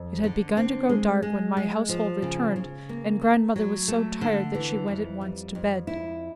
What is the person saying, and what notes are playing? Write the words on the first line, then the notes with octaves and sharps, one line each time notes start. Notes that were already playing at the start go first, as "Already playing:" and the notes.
It had begun to grow dark when my household returned, and grandmother was so tired that she went at once to bed.
Already playing: F2
D3
C4
G#3
G#3
G#3
F3
C#3
C#3
A#3
A3
F#3
A3
D3
E3
F2
G3
F2
E4